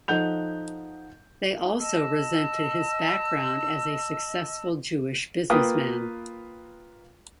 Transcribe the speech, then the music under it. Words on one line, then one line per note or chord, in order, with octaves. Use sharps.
They also resented his background as a successful Jewish businessman.
F3 D#4 A4 F#5 G6 F7
D#5 A5 E6
A#3 F4 B4 G5 D#6